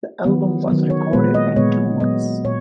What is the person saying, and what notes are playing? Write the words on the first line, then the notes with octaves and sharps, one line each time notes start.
The album was recorded in two months.
D#3 F#3 B3
D#3 F#3 B3
C#5
A#2 G#3 B3 B4
D#5
A#2 G#3 B3 C#5
A#2 F#3 B3 D#5
A#2 C#5